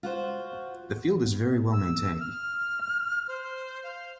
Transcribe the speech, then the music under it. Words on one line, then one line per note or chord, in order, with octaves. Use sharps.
The field is very well maintained.
F4 F#4 C5
E6
F6
C5
F5